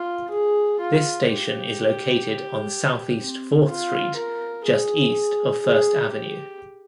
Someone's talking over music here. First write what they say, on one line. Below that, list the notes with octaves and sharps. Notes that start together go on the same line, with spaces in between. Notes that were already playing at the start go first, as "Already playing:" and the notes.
This station is located on Southeast Fourth Street just east of First Avenue.
Already playing: F4
G#4
F4
G4
C4
F4
A#4
G#4
G#4
G4